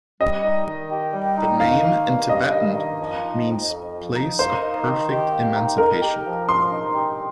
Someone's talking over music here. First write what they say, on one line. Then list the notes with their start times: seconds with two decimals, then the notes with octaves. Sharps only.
The name in Tibetan means "Place of Perfect Emancipation".
0.21 G3 D#5
0.44 D#4
0.67 D#3
0.90 G4
1.13 G3
1.37 D#4
1.60 D#3 F5
1.83 A#3
2.07 G2
2.29 G2 D#5
2.53 D#3
2.76 A#3
3.00 F3
3.23 D#4
3.46 F2
3.69 F2
3.93 F3
4.15 D#4
4.39 A#3 C5
4.63 D#4
4.85 D#3
5.09 G4
5.32 A#3
5.55 D#4
5.78 D#4 A#4
6.02 G4
6.25 F3
6.48 F3 C6
6.72 D#4
6.95 G4